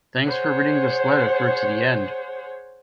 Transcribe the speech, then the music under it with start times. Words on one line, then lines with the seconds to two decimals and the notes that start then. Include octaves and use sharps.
Thanks for reading this letter through to the end.
0.24 G#4 C5 C#5 F#5